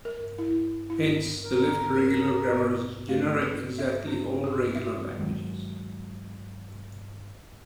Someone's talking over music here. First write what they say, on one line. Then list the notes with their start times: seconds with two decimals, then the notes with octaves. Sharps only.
Hence, the left regular grammars generate exactly all regular languages.
0.05 A#4
0.39 E4
0.90 E4
1.44 A#4
3.09 A3
3.42 B4
3.78 E5
4.07 D4
4.44 G#4
4.75 E5
5.19 D#3 F#3 G#3